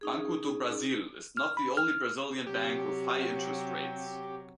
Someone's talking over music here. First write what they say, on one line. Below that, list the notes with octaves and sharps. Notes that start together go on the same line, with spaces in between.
Banco do Brazil is not the only Brazilian bank with high interest rates.
C#4 D#4 G#4
F6
B5
F6
C3 F#3 G4